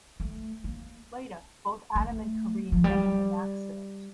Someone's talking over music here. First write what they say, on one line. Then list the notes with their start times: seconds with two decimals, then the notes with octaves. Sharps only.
Later, both Adam and Kareem get in an accident.
0.20 A3
0.64 A#3
1.95 A3
2.72 F3
2.84 G3